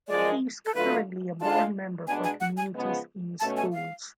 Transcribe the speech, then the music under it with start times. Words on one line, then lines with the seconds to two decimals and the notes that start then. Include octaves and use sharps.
He is currently a Board Member for Communities In Schools.
0.08 F#2 F3 G#3 D5
0.65 A4
0.74 D3 F#3 A3 F4 B4
1.41 D3 G#3 D4 F4 A5
2.07 B2 G#3 B3 D4 G#5
2.24 G#5
2.40 F#5
2.57 G#5
2.74 C#3 F3 G#3 B3
3.40 B2 A3 C#4 A5
3.57 G#5
3.73 F5